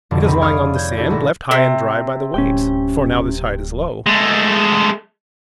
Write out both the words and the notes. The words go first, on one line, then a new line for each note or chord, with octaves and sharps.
It is lying on the sand, left high and dry by the waves, for now the tide is low.
F1 F2 B2 D3
C#2 C4 D#4 B5
C#5 D5 F5 D#6 F6
G6 G#6
D4 E4 F#4 G4 A4
G#1 B2 A4 A#6
C3
D1 C#4 G5
G#3 A3